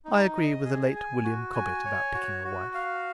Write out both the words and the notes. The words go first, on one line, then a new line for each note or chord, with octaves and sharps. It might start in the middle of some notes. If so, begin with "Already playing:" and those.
I agree with the late William Cobbett about picking a wife.
D#4
D#5
G#4
G#5
F#4
G#5
C#5
F#4
F#4
F5